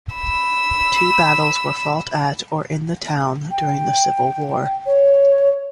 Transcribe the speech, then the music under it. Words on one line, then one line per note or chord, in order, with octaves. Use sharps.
Two battles were fought at or in the town during the Civil War.
B5 E6
G5
C#5